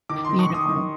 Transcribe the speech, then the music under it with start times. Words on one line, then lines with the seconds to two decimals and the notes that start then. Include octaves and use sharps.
You know?
0.09 D#3 D6
0.24 D#3 C6
0.39 C#6
0.50 D#3 D#6
0.69 D#3